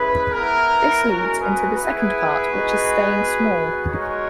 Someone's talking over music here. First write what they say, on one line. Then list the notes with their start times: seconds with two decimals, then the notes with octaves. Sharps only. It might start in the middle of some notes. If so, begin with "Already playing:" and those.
This leads into the second part which is staying small.
Already playing: G#3 C#4 E4 G#4 B4
0.32 B3 E4 A#4
1.04 G#3 C#4 F#4 A#4
1.39 G#4 B4
1.75 B3 E4 G#4 B4
2.47 G#3 B3 D#4 F#4
3.18 B3 F#4
3.90 G#3 D#4 F#4 A#4 C#5